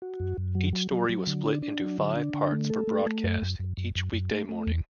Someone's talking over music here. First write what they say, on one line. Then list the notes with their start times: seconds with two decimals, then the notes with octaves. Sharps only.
Each story was split into five parts for broadcast each weekday morning.
0.02 F#4
0.20 F#2
0.38 F#2
0.55 F#3
0.73 F#3
0.91 F#3
1.09 F#3
1.27 D3
1.45 D4
1.62 D4
1.80 F#3
1.98 D3
2.17 D4
2.34 D3
2.52 A3
2.70 A4
2.87 A3
3.06 A3
3.24 F#2
3.42 F#2
3.59 F#2
3.77 F#2
3.95 F#2
4.13 F#2
4.31 A3
4.49 A3
4.67 E2